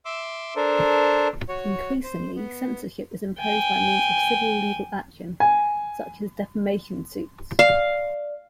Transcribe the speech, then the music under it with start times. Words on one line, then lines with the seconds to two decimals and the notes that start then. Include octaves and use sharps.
Increasingly, censorship is imposed by means of civil legal action, such as defamation suits.
0.05 E5 C6 D6 E6
0.56 D4 A4 A#4 C5
1.49 F#4 C#5
2.04 C5
2.36 B3
3.39 G5 G#5
5.40 G#5
7.59 D5 F5